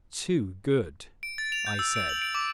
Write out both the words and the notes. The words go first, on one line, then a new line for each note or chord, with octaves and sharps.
"Too good," I said.
D7
A6
F7
G6
E6
D7
F#7
D7
D6